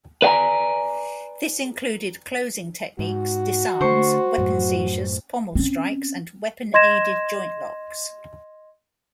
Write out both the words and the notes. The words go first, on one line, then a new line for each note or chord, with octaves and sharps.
This included closing techniques, disarms, weapon-seizures, pommel-strikes, and weapon-aided joint-locks.
B4 D5 F5 G5 G#5 A#5
G#2 F#4
D3 A3 C5 C#6
F#2 A2 F#3
C4 C#4
D#5 C6 G#6 A#6 E7